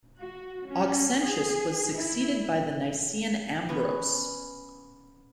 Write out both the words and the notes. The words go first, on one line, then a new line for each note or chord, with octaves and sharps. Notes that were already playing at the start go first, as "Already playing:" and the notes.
Auxentius was succeeded by the Nicaean Ambrose.
F#4
C#4
G#4
E4
B3 C#4 C#5